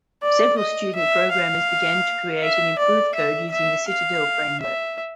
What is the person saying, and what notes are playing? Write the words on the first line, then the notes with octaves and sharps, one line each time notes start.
Several student programmers began to create an improved code using the Citadel framework.
D5
D#5
E5
F5
E5
D5
E5
E5
F5
E5